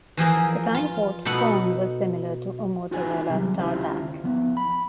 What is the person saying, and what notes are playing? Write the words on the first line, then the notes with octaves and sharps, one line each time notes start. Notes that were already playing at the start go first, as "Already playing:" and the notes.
The Timeport phone was similar to a Motorola Startac.
E3 F3 G#4 A#4
F4
B2 D#4 A4 F#5
D#4 F4 F#4 G#4 C5 G#5
D#2 C3 F#3 G3
D#2 C#3 E4 F4 G4 C5
F3 B3
B5